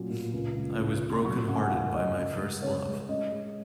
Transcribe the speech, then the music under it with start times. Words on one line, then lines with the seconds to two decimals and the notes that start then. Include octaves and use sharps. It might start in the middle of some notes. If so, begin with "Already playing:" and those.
I was broken hearted by my first love.
Already playing: A#2 F#3 C#4
0.10 A#2
0.33 C#2
0.56 C#2
0.79 C#2
1.02 C3
1.13 C6
1.25 F#3 C#6
1.48 C#3 F#5
1.55 G#5
1.62 F#5
1.70 D#2 F5
1.94 F#3 D#5
2.16 C#3 D#5
2.40 G#3
2.63 C#3 C#5
2.86 G#3
3.08 C#4 D#5
3.31 G#3